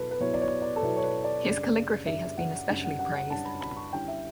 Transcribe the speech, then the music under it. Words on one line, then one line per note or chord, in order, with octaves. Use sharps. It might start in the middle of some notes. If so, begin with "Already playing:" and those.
His calligraphy has been especially praised.
Already playing: B2 F#3 B3 E4 A4 B4
B4
B2 F#3 B3 E4 C#5
D5
C#5
D5
A4
B2 F#3 B3 E4 B4
C#5
B4
D5
F#2 C#3 G3 D4
F#2 C#3 G3 D4 E5
F#5
F#2 C#3 G3 D4
F#5
F#5
F#5
F#2 C#3 G3 D4 A5
B5
B5
C#6
D3 G3 C#4 E4 G5
E5